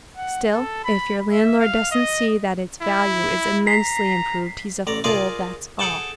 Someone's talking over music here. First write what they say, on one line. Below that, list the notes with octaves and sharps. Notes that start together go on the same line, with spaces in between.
Still, if your landlord doesn't see that its value is immensely improved, he's a fool, that's all.
F#5
A4
B5
E5
F5
D#5
E4
A#5 B6 C7
A1 D5 A#5
F4 G#4 A#4 D5 F5 G#5
G#4 A4 F#5 G5 A5